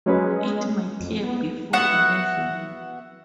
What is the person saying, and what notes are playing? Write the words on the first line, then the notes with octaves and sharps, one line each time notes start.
It might clear before eleven.
F#3 G#3 C#4 B4
F2
B3
B3 F#4 E5 F#5